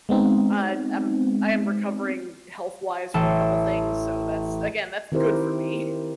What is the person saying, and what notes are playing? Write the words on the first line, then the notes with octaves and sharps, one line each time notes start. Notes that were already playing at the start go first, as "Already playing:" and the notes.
I've am I am recovering health wise from a couple things. So, that's again, that's good for me.
G#3 B3 C4 D#4
A1 A4
D#3 C4 E4 G4 A#4 C5